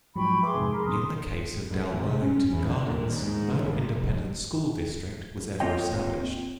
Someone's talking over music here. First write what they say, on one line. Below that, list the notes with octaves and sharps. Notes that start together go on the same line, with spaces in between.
In the case of Dalworthington Gardens, no Independent School District was ever established.
G#2 F3 F#3 G5 B5 C#6
G#4 B4 E5 C6 D6
F2 G#2 C3
G#4 A#4 B5 C6 D6
F#2 B2 D#3 C6 D#6
F#2
A1
C3
C#4
E2
D3
A#2
D#2
G#2
A1
G#1
F1
A#3 C4 F4 C#5 D#5 G5